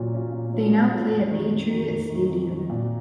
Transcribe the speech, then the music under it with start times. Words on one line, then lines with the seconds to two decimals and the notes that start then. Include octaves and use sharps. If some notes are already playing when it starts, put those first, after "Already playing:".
They now play at Patriot Stadium.
Already playing: A#2 F#3 C#4 F4
0.12 F#3 C#4 F4
0.32 A#2
0.52 F#3 C#4 F4
0.71 A#2
0.92 F#3 C#4 F4
1.11 F2
1.31 D#3 F#3
1.51 F2
1.70 D#3 F#3
1.90 F2
2.10 D#3 F#3
2.30 F2
2.50 D#3 F#3
2.69 A#2